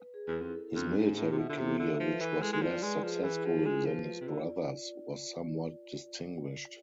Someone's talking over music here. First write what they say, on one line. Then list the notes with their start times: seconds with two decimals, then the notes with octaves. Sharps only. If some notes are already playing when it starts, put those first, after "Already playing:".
His military career, which was less successful than his brother's, was somewhat distinguished.
Already playing: B4
0.14 G#4
0.27 E2
0.34 E4
0.41 F2
0.55 A4
0.75 F2 D4
0.96 G#2 G#4
1.17 A2 F4
1.32 C3
1.38 B2 E5
1.49 D3
1.58 C3 A4
1.79 D3 E5
1.99 F3 B4
2.20 E3 A4
2.41 G#3 E4
2.53 G#3
2.62 F3 D5
2.82 G#3 B4
3.03 F3 G#4
3.24 E3 E4
3.44 F3 G#4
3.65 G#3 F4
3.85 F3 B4
4.06 F4
4.21 C3
4.27 D3 D5